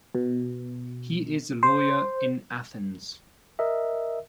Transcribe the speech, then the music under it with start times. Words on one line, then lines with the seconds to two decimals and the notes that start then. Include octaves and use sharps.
He is a lawyer in Athens.
0.15 B2
1.63 C5
3.59 A#4 D#5 E5